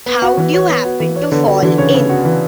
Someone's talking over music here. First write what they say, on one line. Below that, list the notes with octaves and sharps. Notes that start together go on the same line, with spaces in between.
How'd you happen to fall in?
B3
F#4
E3
C#5
B3
F#4
E3
C#5
D3 B3
D3 F#4
D3 E3
C#3 C#5
C#3 B3
F#4
E3